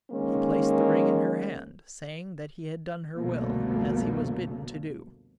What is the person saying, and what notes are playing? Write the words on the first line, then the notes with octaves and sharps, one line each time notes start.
He placed the ring in her hand, saying that he had done her will, as he was bidden to do.
D#3 G#3 A#3 C#4
C2 F2 B2 D3 A3 A#3